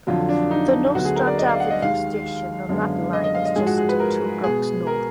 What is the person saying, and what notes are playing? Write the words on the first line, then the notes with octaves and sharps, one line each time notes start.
The Nostrand Avenue station on that line is just two blocks north.
F2 D3 F#3 F4
D4
D#4
D2 D3 F#3 B3 F#4
G#4
A#4
D5
D#5
F5
F#5
D#5
D#2 D#3 G#3 F5
F#2 D3 G#3 B3
D#5
D#5
F5
D#5
G#2 F3 G#3 G#4
F#4
G#4
B4
A#4
B2 G#3 B3 G#4
A#4